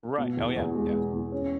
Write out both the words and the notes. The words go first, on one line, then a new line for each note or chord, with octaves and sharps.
Right, oh yeah, yeah.
B2
E2
E2
G#3
B2
E2
C#4